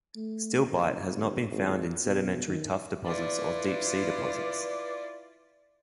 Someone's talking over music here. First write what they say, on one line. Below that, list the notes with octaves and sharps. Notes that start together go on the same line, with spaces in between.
Stilbite has not been found in sedimentary tuff deposits or deep-sea deposits.
A3
F#1
G1
G#1
B2
D#3
E4 F4 B4 D5